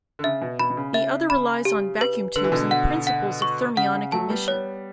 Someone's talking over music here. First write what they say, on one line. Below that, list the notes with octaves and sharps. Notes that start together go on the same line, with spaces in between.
The other relies on vacuum tubes and the principles of thermionic emission.
D3
C#3 E5
B2
B2 B5
B2
C#3
E5
B5
G4
B4
D3 B4
E3
B2 D3
F#5
F#5
C#6
C#3 F#5
C#3
F#3 A3 A5
G3 B3
C#5